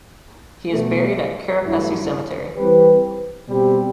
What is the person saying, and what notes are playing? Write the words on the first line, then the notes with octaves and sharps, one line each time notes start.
He is buried at Kerepesi Cemetery.
B2 F#3 A3
G2 F#3 A3 E4
E3 G3 C4 G4 B4
B2 G3 C4 G4